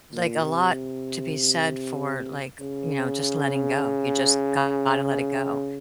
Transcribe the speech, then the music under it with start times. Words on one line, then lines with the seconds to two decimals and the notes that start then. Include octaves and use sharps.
like, a lot to be said for, like, you know, just letting go. You just gotta let it go.
0.13 A#2
0.44 C3
2.60 C#3